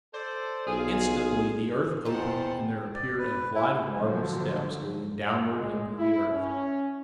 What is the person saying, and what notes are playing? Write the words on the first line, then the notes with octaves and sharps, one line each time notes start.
Instantly the earth opened, and there appeared a flight of marble steps leading downward into the earth.
A4 C5 D5
B1 F4 G#4
E2 D#4 G4 C5 F#5 A5 C6
D5
B4
E4
A#2 D3 F3 F#3
G#3
E4
C#4